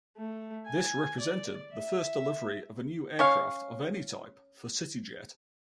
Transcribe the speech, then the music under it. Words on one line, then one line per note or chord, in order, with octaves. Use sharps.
This represented the first delivery of a new aircraft, of any type, for CityJet.
A3
G#5
D5
E5
C#4 C#5 F5